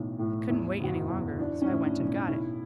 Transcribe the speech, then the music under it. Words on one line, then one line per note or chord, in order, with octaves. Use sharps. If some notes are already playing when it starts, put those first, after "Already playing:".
"I couldn't wait any longer, so I went and got it."
Already playing: B1 A2 E3
A2
E2 E4
F#1 F#4
E4
E2
E3 D4
C#4
A2 E4
D4
B1
B1 E4